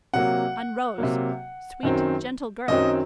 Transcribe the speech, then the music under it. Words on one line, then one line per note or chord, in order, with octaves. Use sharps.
On Rose, sweet, gentle girl!
C3 F#3 A#3 F#5
C3 F#3 A#3
F#2 D#3 F#3 C4
F#2 D#3 F#3 C4 D#5